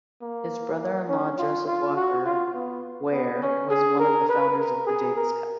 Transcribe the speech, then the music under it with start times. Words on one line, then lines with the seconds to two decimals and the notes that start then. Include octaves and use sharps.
His brother-in-law Joseph Walker Wear was one of the founders of the Davis Cup.
0.22 A#3
1.09 C#4
1.38 F4
1.67 F4
1.96 F#4
2.26 F4
2.54 B3
3.12 B3
3.42 C#4
3.70 G#4
3.99 A#4
4.29 B4
4.59 A#4
4.87 G#4
5.16 A#4